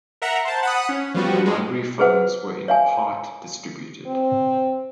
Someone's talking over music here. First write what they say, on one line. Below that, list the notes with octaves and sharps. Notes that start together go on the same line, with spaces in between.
The library funds were in part distributed.
A#4 E5 F#5 A#5
C5 A5
F#5 B5 D#6
C#4
F3 G3 B3 F#4
G#3
G#4 B4 C5 F#5
C#5 F5 G#5
C4